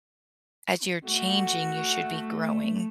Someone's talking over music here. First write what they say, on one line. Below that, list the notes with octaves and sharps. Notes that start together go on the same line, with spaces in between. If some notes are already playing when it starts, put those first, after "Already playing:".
as you're changing, you should be growing
A3 F#4